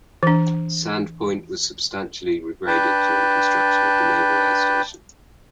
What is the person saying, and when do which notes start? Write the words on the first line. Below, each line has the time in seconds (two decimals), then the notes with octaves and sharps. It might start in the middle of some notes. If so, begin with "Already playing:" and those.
Sand Point was substantially regraded during construction of the naval air station.
0.23 E3 D4
2.67 D4 B4 G5 A5